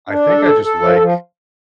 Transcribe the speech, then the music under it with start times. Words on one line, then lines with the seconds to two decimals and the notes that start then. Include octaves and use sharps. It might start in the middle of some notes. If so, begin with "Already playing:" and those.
I think I just like
0.10 D4
0.28 A4
0.45 A4
0.64 A4
0.82 F3
1.00 F3